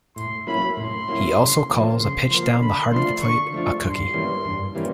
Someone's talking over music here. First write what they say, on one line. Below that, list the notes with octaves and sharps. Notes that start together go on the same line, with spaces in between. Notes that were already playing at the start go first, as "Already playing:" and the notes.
He also calls a pitch down the heart of the plate a "cookie".
A2 C6
F#3 A#3 C#4 E4 B5
A2 C6
F#3 A#3 C#4 E4
C#3
F3 A#3
C#3 C6
F3 A#3 C6
D3 B5
F3 A3 D4 F4 C6
D3 C#6
F3 A3 D4 F4
G2 C6
E3 G3 A#3 C#4
G2
E3 G3 A#3 C#4